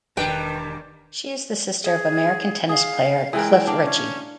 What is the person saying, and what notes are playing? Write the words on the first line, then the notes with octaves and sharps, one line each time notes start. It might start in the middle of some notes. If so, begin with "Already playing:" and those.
She is the sister of American tennis player Cliff Richey.
E1 D#3 G3 D4 B4 G5
G#4
G#4 F5
E3 G#3 A#4 G5
D4 F5
C#4